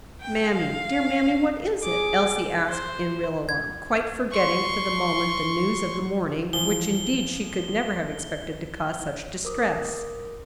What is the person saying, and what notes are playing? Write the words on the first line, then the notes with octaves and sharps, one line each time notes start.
"Mammy, dear mammy, what is it?" Elsie asked in real alarm, quite forgetting for the moment the news of the morning, which indeed she could never have expected to cause such distress.
G5
F5
G#4 D6
C5
G#6
C6 C#6
E3 F3 G7
A#4 C5 D6 D#6